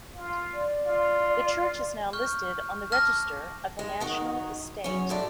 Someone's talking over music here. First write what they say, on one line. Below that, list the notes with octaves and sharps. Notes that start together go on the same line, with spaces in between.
The church is now listed on the Register of the National Estate.
F4
D5
F4
C#6 F6 G6
A5 D6 F6 A#6
G#3
D#3 F#3 D#4
E2 F#3 C#4
G#2 A3 D4